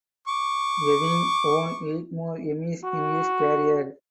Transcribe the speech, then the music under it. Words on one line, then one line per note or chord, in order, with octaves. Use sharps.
Ewing won eight more Emmys in his career.
C#6 D6
F#4